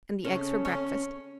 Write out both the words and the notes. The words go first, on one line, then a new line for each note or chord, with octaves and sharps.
"And the eggs for breakfast?"
C#3 F#3 A3 C#4
C#4